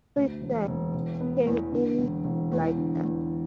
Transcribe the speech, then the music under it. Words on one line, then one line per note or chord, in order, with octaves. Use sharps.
Please, sir, he came in like that.
D2
E1
E1
E1
B3
E2
D3
E1
E1
E2
D3
E2